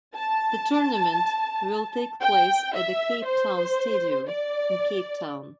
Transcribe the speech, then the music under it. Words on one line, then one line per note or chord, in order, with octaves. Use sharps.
The tournament will take place at the Cape Town Stadium in Cape Town.
A5
G5
E5
C5
D5